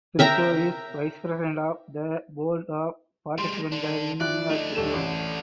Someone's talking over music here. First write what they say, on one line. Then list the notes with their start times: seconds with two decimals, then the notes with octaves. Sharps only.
Spirito is Vice President of the Board of Participant Gallery in New York City.
0.19 A#4 E5 G5 A#5
3.38 G3 G#3 C6
3.72 D3 D4
4.20 F3 E4 D5 F#6
4.50 A3 D4 D#4
4.75 D#1 A4 E7
4.93 A1